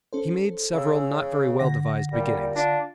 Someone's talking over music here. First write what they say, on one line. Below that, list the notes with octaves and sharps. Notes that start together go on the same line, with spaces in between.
He made several not very well-devised beginnings.
C#4 A4 C5
C#3 G#5 E6
D3 F#5 A#6
A#2 G3
D4 F4